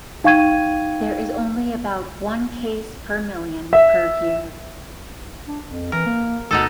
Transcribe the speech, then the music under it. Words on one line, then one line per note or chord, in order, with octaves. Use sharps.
There is only about one case per million per year.
D#4 F5 G5 C#6 G#6 D#7
E5
D4
F2
E3 A#4
A#3
D2 B2 D#4 A4